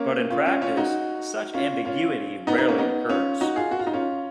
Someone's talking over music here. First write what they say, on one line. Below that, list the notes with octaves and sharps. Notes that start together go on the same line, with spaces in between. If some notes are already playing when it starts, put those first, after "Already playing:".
But in practice, such ambiguity rarely occurs.
Already playing: A#3 C#4
C#4 F4
C#4 F4
C#4 F4
D#4 F#4
C#4 F4
C#4 F4
B3 D#4
B3 D#4
A#3 C#4
B3 D#4
C#4 F4
D#4 F#4
F4 G#4
F#4
F4
D#4
C#4 F4